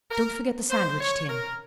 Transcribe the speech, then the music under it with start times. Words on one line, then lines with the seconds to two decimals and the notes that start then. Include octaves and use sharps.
Don't forget the sandwich-tin!
0.11 A#4
0.70 C5
1.00 C#5
1.29 A#4